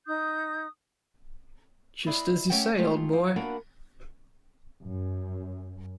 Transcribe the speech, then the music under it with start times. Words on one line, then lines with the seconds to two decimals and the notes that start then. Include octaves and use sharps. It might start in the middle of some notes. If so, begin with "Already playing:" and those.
Just as you say, old boy.
0.07 D#4 D#6 G6
2.07 E4 G#4 B4 D5 D#5
2.50 A3 C#4 G4 G#4 F#5 G5
2.76 G#3 A3 F4 G4
3.13 F3
3.36 A#3 B3 D4 F#4 A#4
4.84 F#2